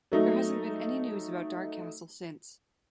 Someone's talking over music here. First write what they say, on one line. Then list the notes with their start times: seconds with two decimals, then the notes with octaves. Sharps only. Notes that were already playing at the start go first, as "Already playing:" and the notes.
There hasn't been any news about Dark Castle since.
0.12 F#3 A3 D#4